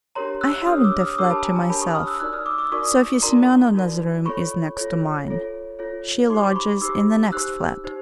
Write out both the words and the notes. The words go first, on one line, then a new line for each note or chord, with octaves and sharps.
I haven't a flat to myself; Sofya Semyonovna's room is next to mine--she lodges in the next flat.
D4 G4 A#4 C#5 A#5 C6
E6 F#6
D4 G4 A#4 C#5 D#6 F6
D6 E6
D#6 F6
D4 G4 A#4 C#5 D6 E6
A5 B5
G#5 A#5
G#5 A#5
D4 G4 A#4 C#5 A5 B5
C#6 D#6
D#6 F6
E6 F#6
D#4 F#4 A#4 D5 E6 F#6
D#6 F6
D6 E6
D6 E6
D#4 F#4 A#4 D5 C#6 D#6
D#4 F#4 A#4 D5 A#5 C6
D#4 F#4 A#4 D5
F4 A4 C#5 B5 C#6
F4 A4 C#5
F4 A4 C#5
F4 A4 C#5
D#4 G4 C5 C6 D6
C6 D6
B5 C#6
D#4 G4 C5 D6 E6
D#4 G4 C5 E6 F#6
D#4 G4 C5